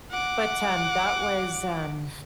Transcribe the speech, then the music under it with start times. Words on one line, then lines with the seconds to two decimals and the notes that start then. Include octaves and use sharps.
But, um, that was an
0.11 F#5 D6